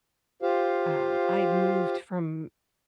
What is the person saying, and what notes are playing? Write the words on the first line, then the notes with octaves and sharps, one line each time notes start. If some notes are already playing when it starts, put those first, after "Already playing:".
Um, I moved from
F4 G4 C5 F5